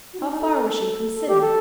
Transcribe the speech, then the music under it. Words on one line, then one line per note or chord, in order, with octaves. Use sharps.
How far was she from Sidham?
F#4
D#4
D#4
A4
A4
G4
A4